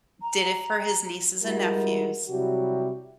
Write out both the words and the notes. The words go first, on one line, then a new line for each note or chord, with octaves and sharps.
Did it for his nieces and nephews.
A#5
G3 G#3 E4 F#4 A#4
C3 F#3 G3 E4 F#4 G4